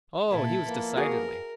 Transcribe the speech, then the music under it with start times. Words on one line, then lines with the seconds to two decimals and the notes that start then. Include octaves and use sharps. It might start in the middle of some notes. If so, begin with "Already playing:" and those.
"Oh, he was, decidedly."
0.31 A#2 A#3 E4 G4 A4
0.65 F3 A#3 B3
0.97 F#4 G#4 A#4 F#5